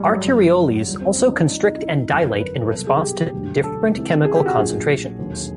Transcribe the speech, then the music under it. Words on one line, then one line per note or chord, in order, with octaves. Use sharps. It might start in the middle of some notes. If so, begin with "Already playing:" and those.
Arterioles also constrict and dilate in response to different chemical concentrations.
Already playing: A1 G2 E3 G3 G#3
F#3
F#1 F#2 C#3 E3
D#2 D3 F3 G3
C4
C#4
D#4
D4
C2 C3 F3 D#4
D#4
E4
G1 F2 D3 F#3 A4
A#4
B4
B4
A#4
C2 B2 F#3 A4
G#4
G4
E1 D2 D3 F#3
A4
C#2 C3 E3
G#4
G4
F#4
A#1 A#2 F#3 G#4
E1 D#2 D3 F#3